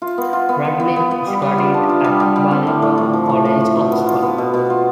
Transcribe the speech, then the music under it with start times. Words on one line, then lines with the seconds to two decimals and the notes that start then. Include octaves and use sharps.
Bradley studied at Balliol College, Oxford.
0.02 F4
0.18 B3
0.33 F4
0.49 B3
0.65 B3
0.80 B3
0.96 B3
1.11 B3
1.27 G3
1.42 G3
1.58 F4
1.74 D4
1.89 F4
2.04 G3
2.20 G3
2.36 G3
2.51 C4
2.67 A2
2.82 A2
2.98 A2
3.13 F3
3.29 A2
3.45 A2
3.60 A2
3.76 B2
3.92 B3
4.06 F4
4.23 B3
4.38 B2
4.54 B2
4.70 F4